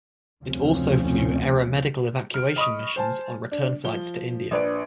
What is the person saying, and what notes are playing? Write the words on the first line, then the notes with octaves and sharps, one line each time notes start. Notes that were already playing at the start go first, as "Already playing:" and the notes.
It also flew aeromedical evacuation missions on return flights to India.
F1 D2 B2 F3 C4 C#4
F6 D7
D#5 B5 C#6 D#6
C5 G#5 A5
D4
F3 G7
A#1 D4 B4 D5 D7